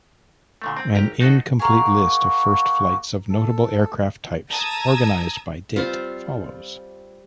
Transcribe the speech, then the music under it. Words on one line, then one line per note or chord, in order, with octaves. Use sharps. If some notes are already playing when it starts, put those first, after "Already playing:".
An incomplete list of first flights of notable aircraft types, organized by date, follows.
A#2 D3 A3
C4
G#1 G4 A#5
D#4 F#4 A4 C5
A#3 F#4 G#4 A#4
A4
A5 A#5 D#6 E6 G#6
G3 C4 F4 C5